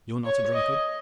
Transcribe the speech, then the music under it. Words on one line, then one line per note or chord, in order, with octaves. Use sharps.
You're not a drunkard!
C#5
D#5